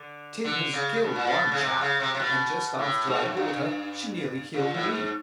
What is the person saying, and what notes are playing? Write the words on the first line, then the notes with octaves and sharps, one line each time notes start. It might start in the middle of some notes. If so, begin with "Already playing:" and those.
Tib has killed one chap; and just after I bought her she nearly killed me.
Already playing: D3
D3
C#3
B2
A#2
B2
C#3
C3
C#3
C3
C3
B2
A2
G#2
F#2
G2
A#2
A2
G#2